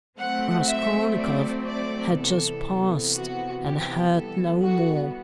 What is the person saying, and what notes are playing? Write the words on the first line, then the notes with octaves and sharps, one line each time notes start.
Raskolnikov had just passed and heard no more.
F#3 A3 C4 F#5
E5
D5
D5
C3 E3 B3 A4
F#4
G4
E3 G3 B3 A4
F#4